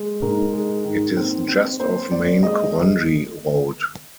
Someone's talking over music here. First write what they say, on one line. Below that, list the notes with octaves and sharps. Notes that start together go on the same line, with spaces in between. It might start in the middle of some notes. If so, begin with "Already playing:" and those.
It is just off main Korangi Road.
Already playing: G#3
G#2 A#4
G#3
D#3
C4
C4
C4 C5
C4 D5
G#3 D#5